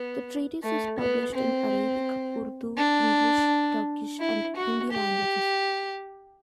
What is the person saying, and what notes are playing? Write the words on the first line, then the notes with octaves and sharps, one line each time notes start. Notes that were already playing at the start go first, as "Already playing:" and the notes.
The treatise is published in Arabic, Urdu, English, Turkish and Hindi languages.
Already playing: B3
A3
B3
C4
D4
E4
F#4
G4